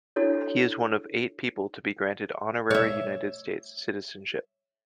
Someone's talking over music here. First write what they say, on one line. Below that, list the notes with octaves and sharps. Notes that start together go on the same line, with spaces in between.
He is one of eight people to be granted honorary United States citizenship.
D4 E4 F#4 A4 C#5
C#5 E5